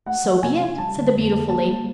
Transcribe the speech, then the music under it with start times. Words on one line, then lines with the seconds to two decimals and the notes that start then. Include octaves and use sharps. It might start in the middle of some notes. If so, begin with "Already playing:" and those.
"So be it," said the beautiful lady.
0.06 A3 F#5
0.24 F3
0.43 C3 G#5
0.61 D4
0.78 G3 A5
0.97 D3
1.15 F2
1.32 A#3
1.49 A#3 A5
1.68 G3